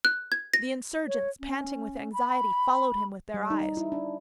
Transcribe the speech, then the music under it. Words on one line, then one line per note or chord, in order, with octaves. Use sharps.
The insurgents, panting with anxiety, followed him with their eyes.
F#6
G#6
A#6
C#5
C#4
B5
G3
D#4
E4
D4